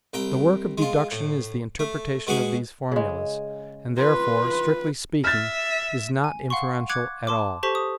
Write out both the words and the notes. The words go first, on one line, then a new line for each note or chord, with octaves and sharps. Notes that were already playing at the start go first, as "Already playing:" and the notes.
The work of deduction is the interpretation of these formulas, and therefore, strictly speaking, is not inferential at all.
C2 G5 A#5
G#3 F4
A2
A3
B2 G#3 F#4 G#4 F#5 C#6
C#3 G#3
F4 B4 C6
E5 F6 A6
G#5
F5 F#5 C6 C#6
D6 F#6 G#6 C#7
A5 C6 D6
G4 A4 C5 A5 C#6 B6
D#6